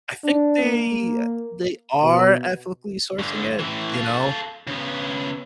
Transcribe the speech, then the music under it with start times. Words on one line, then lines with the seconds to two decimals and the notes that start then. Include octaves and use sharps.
I think they they are ethically sourcing it, you know,
0.24 D4
0.63 A#3
2.02 B2
3.19 G2 D3
3.59 A2 E3
3.94 A4 F5
4.67 C#3 B3